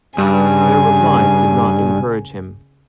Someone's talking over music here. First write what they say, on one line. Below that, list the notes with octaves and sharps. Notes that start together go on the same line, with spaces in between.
Their replies did not encourage him.
G2 C#3 G#5